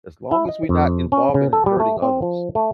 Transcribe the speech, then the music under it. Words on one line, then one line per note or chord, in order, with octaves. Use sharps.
as long as we're not involving and hurting others.
E4
D#5
F2
C#4
C#3
A4
G3
A3
C4
F3
A3